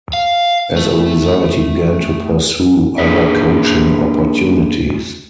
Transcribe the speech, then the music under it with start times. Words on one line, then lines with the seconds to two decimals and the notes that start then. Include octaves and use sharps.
As a result, he began to pursue other coaching opportunities.
0.13 F5
0.76 A3
2.98 A#3 D4 G#4 B4 E5